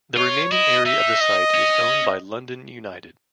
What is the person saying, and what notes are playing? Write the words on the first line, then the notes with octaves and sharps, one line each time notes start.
The remaining area of the site is owned by London United.
F4 C#5
E4 D#5
D#4 E5
D#5
C#4